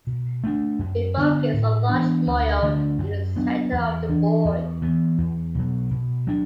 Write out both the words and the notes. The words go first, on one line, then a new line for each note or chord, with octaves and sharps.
It focused on large moyo in the center of the board.
B2
A3 D4
F#2
D3 B3 D4
A2
E3 B3 D4
D2
D3 A3 D4
F#2
F#3 B3 D4
E2
E3 D4
E2
E3 B3
E2
B2 F#3
B2
F#3 D4